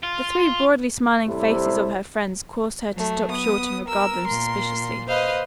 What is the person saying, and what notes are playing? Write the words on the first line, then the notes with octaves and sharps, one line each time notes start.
The three broadly smiling faces of her friends caused her to stop short and regard them suspiciously.
F4
A2 C3 G3 E4 A4 C5
F#3 A3
B3 D#6
A#4 E6
A#2 C6
B4 C5 D#5 F5